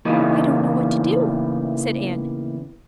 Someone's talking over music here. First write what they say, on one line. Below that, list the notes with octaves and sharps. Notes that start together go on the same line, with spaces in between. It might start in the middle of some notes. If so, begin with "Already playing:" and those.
"I don't know what to do," said Anne.
E2 A2 C#3 E3 A#3 D#4